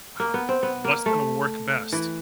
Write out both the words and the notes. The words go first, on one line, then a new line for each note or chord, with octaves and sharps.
How what's gonna work best?
A#3
B3
C4
B3
A#3
A3
E3